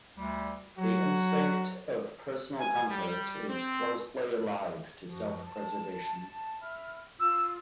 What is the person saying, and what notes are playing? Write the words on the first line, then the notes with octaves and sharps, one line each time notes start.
The instinct of personal comfort is closely allied to self-preservation.
D2 G3
F#3 F#4
G#5
G3
C4
F#2 F3 F#4
A5
E5 B5 F6
F4 E6